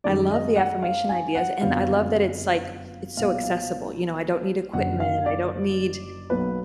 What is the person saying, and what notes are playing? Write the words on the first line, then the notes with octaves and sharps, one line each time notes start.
I love the affirmation ideas, and I love that it's, like, it's so accessible, you know, I don't need equipment, I don't need
F#2 D#3 G#3 D5
D#5
F#5
F5
G#5
F#5
F#1 F2 D3 F#3 B3 F5
B1 A#2 F#3 F5
F5
F#1 F#2 D3 F#3 F#5
F5
D5
B1 B2 F#3 A#3 B4